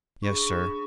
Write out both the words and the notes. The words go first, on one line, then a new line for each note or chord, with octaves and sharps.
"Yes, sir."
D4 G#4 B5 C#6